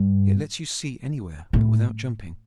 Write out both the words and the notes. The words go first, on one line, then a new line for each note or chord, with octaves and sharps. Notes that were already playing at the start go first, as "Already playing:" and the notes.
It lets you see anywhere, but without jumping.
Already playing: G2
A2